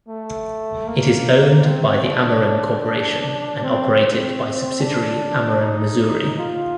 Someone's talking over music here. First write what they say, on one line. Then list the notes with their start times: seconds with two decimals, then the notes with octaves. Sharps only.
It is owned by the Ameren Corporation and operated by subsidiary Ameren Missouri.
0.08 A3
0.87 A#3
1.65 C4
2.05 D4
3.63 C4
4.02 C4
4.81 D4
5.60 D#4
6.39 F4